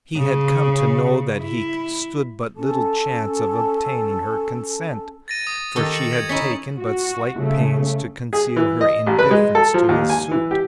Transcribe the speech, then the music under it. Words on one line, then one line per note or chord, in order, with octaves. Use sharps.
He had come to know that he stood but little chance of obtaining her consent: for she had taken but slight pains to conceal her indifference to his suit.
C#3
E4
C#4 A4 A5
A6 A#6 D#7
D#6
D#3 G4 A4
C#7 F#7
G#6 F#7
C#4 D#4 E4 B6
F#4
C#3 A3
G#4
E3
D#5
A1
B4
G#3
A4
F3
D#2
G#5
E3
G4